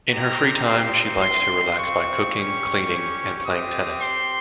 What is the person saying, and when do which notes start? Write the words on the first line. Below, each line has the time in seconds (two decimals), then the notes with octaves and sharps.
In her free time, she likes to relax by cooking, cleaning and playing tennis.
0.11 C4 D#4 G4 A#5
0.66 C6
1.22 C4 F4 C6
1.78 C#6
2.34 G3 C#4 G4
3.45 C4 G4 D#6
4.01 C6